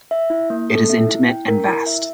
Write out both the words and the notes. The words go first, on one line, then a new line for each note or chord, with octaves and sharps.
It is intimate and vast.
E5
E4
A#3
A4
E5
E4
G5
A#4
E4
E5